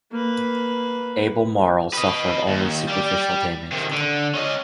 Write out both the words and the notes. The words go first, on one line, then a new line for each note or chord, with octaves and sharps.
"Albemarle" suffered only superficial damage.
A#3 B4
B4 D#5
D#2
G3 D5
C3 D#3
D3
C#4 D#5